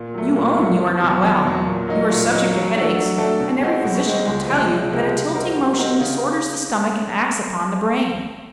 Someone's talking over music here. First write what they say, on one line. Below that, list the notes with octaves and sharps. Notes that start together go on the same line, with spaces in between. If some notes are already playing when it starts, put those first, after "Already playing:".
You own you are not well; you are subject to headaches; and every physician will tell you that a tilting motion disorders the stomach and acts upon the brain.
Already playing: A#2
F#3 A3
A#2
F#3 A3
E2
B2 F#3
E2
B2 F#3
A#2
F#3 A#3 D#4
A#2
F#3 A#3 D#4
F#3
A3 D4 F#4 A4
F#3
A3 D4 F#4 A4
B2
G#3 C4 D#4 F#4
B2
G#3 C4 D#4 F#4
C#2
C3 F3 G#3 C4
C#2
C3 F3 G#3 C4
G3
C4 D#4 F#4 A#4
G3
C4 D#4 F#4 A#4
C#3